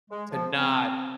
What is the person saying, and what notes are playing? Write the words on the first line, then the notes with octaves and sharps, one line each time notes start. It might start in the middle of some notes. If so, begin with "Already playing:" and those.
to not
G#3
F3
C4